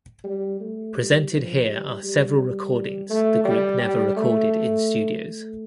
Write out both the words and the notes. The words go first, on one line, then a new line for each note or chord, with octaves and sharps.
Presented here are several recordings the group never recorded in studios.
G3
A3
G3
F3
G3
G3
G3
A3
G3
G3
A3
A3